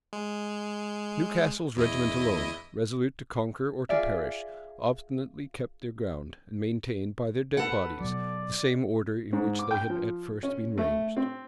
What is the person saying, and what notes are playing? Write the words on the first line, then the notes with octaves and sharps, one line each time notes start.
Newcastle's regiment alone, resolute to conquer or to perish, obstinately kept their ground, and maintained, by their dead bodies, the same order in which they had at first been ranged.
G#3
E2 E4 D#5
F4 G#4 D5 E5
A4 B4 F#5
B2 F#3 D5
G#2
D6
G5
F3
C#4
A3
C4